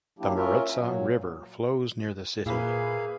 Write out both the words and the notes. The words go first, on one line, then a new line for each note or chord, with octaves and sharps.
The Maritsa River flows near the city.
F#3 A#3 D4 E4 G4
C#4 F4 A#4 E5
A#2 F#3
A#2 A#3 E4 G#4 B4 F5